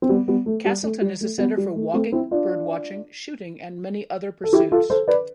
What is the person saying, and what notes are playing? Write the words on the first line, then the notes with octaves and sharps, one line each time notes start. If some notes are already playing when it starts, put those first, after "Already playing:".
Castleton is a centre for walking, birdwatching, shooting and many other pursuits.
C4
G3 B3
G3 B3
A3
G3
A3
G3
A3
G3 B3
G3
A3
A3 C4
C4 E4
D4 F4
A4
E4 G4
F4 A4
A4 C5
B4 D5